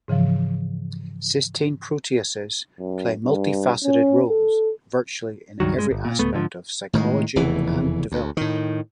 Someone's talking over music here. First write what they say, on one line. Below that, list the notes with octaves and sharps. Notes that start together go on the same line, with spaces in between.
Cysteine proteases play multi-faceted roles, virtually in every aspect of physiology and development.
G#2 C#3 E3 F3
F#2
G2
C#4
A4
C#2 G2 D#3 F#3
G2 G#3
G1
A#2
D1 C#2 A3 B3
G#2 D3 F3
A2 D#3 F3 G#3
F1 E2 C#3 E3
D2
A2 D#3